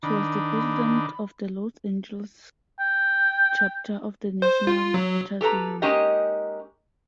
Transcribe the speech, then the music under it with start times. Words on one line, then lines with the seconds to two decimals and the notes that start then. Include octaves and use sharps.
She was the president of the Los Angeles chapter of the National Writers Union.
0.03 D#3 D4 B5
2.80 G5
4.42 C5
4.67 F4
4.94 F#3
5.41 G4 A4 B4 A#5
5.82 G#3 A#3 C#4 D#4 G4 D#5